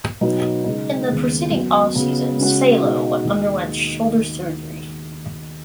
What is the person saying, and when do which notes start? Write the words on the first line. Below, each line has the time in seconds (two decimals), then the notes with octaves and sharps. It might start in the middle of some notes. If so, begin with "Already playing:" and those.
In the proceeding off-season, Salo underwent shoulder surgery.
0.21 B2 F#3 B3 D#4
0.64 C#3 G#3 D#4
1.08 D#2 C#3 G#3 B3
1.51 F#2 F#3 B3 F#4
1.95 C#3 B3 F#4
2.38 C#3 G#3 C#4 F#4
2.82 B2 G#3 D#4 F#4
3.25 D#2 D#3 G#3 D#4 F#4